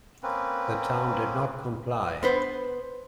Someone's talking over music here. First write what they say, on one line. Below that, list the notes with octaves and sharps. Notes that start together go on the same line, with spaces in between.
The town did not comply.
A#3 C4 C#4 B4
B3 B4 C5